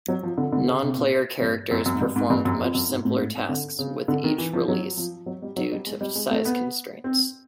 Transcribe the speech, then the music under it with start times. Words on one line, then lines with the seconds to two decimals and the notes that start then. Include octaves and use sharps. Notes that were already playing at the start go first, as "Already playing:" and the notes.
Non-player characters performed much simpler tasks with each release due to size constraints.
0.08 F#3
0.23 F3
0.38 D3
0.53 D3
0.68 C#3
0.82 C3
0.97 A#2
1.42 G2
1.71 F#2
1.86 F#2
1.95 G#2
2.01 G2
2.16 G#2
2.30 G2
2.45 F#2
2.61 F2
2.75 F#2
2.90 G#2
3.05 A2
3.14 G#2
3.20 A2
3.35 G#2
3.49 D3
3.79 C#3
4.08 D3
4.24 D#3
4.38 E3
4.53 F3
4.68 F#3
4.97 F3
5.26 F#3
5.42 G3
5.56 F#3
5.72 G3
5.87 G#3
6.01 G3
6.16 G#3
6.31 A3
6.45 B3
7.04 C4